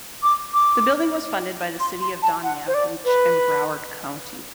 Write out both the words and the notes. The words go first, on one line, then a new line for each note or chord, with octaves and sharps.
The building was funded by the City of Dania Beach and Broward County.
D6
D6
C6
C6
A5
F#5
C5
D5
B4